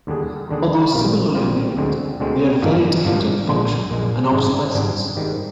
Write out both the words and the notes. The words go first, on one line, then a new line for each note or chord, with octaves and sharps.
Although similarly named, they are very different in function and obsolescence.
D#2 D3 G3 D4 G#4
D#2 D3 G3 D4 G#4
A#1 A#2 G3 C4 F4
A#1 A#2 G3 C4 F4
D2 D3 G#3 C4
D2 D3 G#3 C4
G#1 G2 F3 A#3 D4
G#1 G2 F3 A#3 D4
A#1 A#2 G#3
A#1 A#2 G#3
G#1 G#2 G3 D4 G#4
G#1 G#2 G3 D4 G#4
G#2 D#3 G3